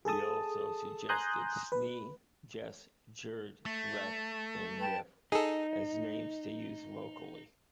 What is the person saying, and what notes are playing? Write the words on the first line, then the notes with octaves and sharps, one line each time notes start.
He also suggested "snie", "jes", "jerd", "reff", and "niff" as names to use vocally.
G#4 A4 A5 D#6
G#5 A#5 C6 D#6 F#6 G6
B4
A3
B4 G5 A5
D#4 G#4 A4